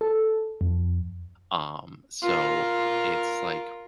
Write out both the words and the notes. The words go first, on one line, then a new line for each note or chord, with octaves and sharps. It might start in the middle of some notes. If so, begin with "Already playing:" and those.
Um, so it's like
A4
F2
F4 A#4